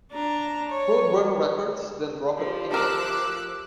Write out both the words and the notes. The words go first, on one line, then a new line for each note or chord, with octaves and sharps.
RoadRunner Records then dropped Anyone.
D4 A#5
C#5
F3 G4
A3 A#4 D6 E6 F#6